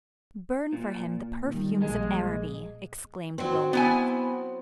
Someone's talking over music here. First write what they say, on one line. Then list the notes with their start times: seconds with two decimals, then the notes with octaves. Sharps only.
Burn for him the perfumes of Araby! exclaimed romance.
0.73 A#2
1.48 D#3 G3
1.82 A#1 G3 G#3 A#3
3.38 F#3 C4
3.73 B3 E4 G#5